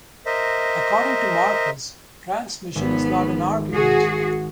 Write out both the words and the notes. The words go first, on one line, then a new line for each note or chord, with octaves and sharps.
According to Marcus, 'Transmission' is not an argument.
A#4 C5 D#5 E5
G#1 B3
F#4 G#4